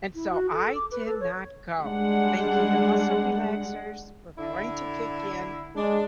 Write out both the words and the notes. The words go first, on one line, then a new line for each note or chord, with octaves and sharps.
and so I did not go, thinking the muscle relaxers were going to kick in
E4
F#4
A4
D6
B4
A4
C#5
G3 G#3 D4 F#5
D3 E4
G#3 D4